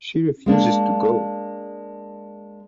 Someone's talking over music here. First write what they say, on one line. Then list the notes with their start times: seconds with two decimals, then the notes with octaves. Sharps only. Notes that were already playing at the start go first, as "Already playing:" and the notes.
She refuses to go.
0.46 G#3 A#3 D4